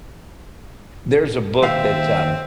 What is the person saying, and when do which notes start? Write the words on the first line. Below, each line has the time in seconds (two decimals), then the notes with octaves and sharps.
there's a book that, uh,
1.62 D#2 C4 E5 F5